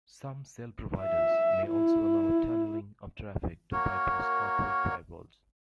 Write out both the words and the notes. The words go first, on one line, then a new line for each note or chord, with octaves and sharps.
Some shell providers may also allow tunneling of traffic to bypass corporate firewalls.
E5
E4
A#3 F#4 A#4 C#5